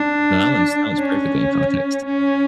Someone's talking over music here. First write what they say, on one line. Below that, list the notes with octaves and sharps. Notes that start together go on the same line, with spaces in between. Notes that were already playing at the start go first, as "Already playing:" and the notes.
No, that one's that one's perfectly in context,
Already playing: D4
C#4
C#4